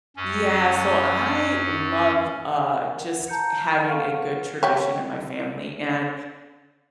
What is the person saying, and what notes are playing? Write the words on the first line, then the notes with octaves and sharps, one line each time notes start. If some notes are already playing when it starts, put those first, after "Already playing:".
Yeah, so I love, uh, just having a good tradition in my family and
F#2 C#4
A#4 F#5
A5 A#5 G6 C#7
A5 F6
A4 F5 F#5 C6 C#6 F6
F#3 G4 C#5